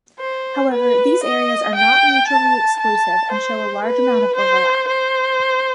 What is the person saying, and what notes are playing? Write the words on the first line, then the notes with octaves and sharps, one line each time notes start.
However, these areas are not mutually exclusive and show a large amount of overlap.
C5
B4
D#5
G5
A5
A5
C5
B4
C5
C5